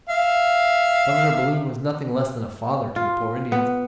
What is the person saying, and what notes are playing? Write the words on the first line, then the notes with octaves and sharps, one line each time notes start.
Governor Balloon was nothing less than a father to the poor Indians.
E5 F5
F4
B3